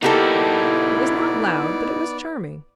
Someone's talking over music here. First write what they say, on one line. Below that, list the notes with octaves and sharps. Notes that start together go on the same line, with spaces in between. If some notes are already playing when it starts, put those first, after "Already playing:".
It was not loud, but it was charming.
A#3 B3 D#4 E4 F#4 G4 A4 D5